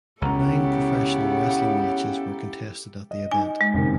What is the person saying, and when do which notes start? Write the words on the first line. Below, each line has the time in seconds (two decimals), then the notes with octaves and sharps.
Nine professional wrestling matches were contested at the event.
0.22 C#2 C#3 B3 C#4 E4 G4 A4 A#5
3.11 D#5
3.31 D#4 G#5
3.61 G#3
3.74 F#1 C3 D#3